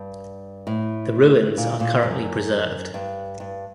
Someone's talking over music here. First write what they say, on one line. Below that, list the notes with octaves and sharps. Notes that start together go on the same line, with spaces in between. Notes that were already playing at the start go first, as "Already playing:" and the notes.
The ruins are currently preserved.
Already playing: G2
A2
A#2
A#2
F#2
G2
G2